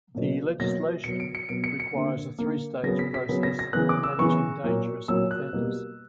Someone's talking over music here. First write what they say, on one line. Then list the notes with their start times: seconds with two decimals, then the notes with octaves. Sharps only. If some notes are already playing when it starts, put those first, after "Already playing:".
The legislation requires a three-stage process for managing dangerous offenders.
0.15 B2 F#3 A#3
0.59 B2 F#3 A#3 A#6
1.04 B2 F#3 B3 C#7
1.20 D7
1.35 C#7
1.49 B2 F#3 B3 D7
1.64 C#7
1.80 C#7
1.94 D3 A#3
2.39 D3 A#3
2.83 C#3 F#3 B3 A#6
2.99 B6
3.14 B6
3.29 C#3 F#3 B3
3.43 A#6
3.59 A#6
3.73 C#3 E3 B3 F#6
3.89 D6
4.03 E6
4.18 C#3 E3 B3 C#6
4.64 A#2 F#3 A#3
5.08 A#2 F#3 A#3 E6
5.31 F#6
5.53 B2 G3 A#3